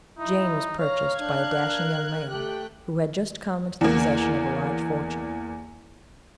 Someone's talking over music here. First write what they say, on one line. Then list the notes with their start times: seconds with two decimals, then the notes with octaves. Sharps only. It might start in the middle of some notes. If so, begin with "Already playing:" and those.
Jane was purchased by a dashing young man, who had just come into the possession of a large fortune.
0.19 D#4 E4
0.79 C#5 F5 A#5 F6
1.20 D4 A#4 F#6 G#6
2.29 A3 G4 G5 F#6
3.81 E2 A#3